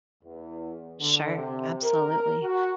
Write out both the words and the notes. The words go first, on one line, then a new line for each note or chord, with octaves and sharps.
Sure, absolutely.
E2
D3
C3
A#4
F#4